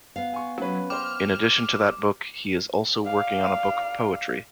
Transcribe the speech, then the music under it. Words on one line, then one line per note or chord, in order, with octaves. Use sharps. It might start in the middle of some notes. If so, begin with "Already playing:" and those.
In addition to that book, he is also working on a book of poetry.
B3 F5
G#5 C#6
F#3 C#4 B4
C5 G5 D6 F6
D5 F5